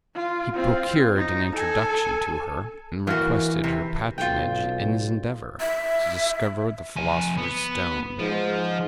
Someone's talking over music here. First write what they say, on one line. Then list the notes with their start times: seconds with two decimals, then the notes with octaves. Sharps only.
He procured an introduction to her, and requested her patronage in his endeavour to discover the philosopher's stone.
0.15 F4
0.55 C4 F4
1.16 D#4
1.56 A4 G#5
3.07 E3 A#3 F#4
3.64 C3
4.18 B1 F4 G5
5.61 E5
6.96 F2 G#5
7.37 B3
8.19 G#2 F3